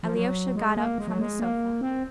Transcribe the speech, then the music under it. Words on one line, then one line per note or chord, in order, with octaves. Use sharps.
Alyosha got up from the sofa.
F3
F#3
G#3
A#3
G#3
F#3
G#3
A#3
C4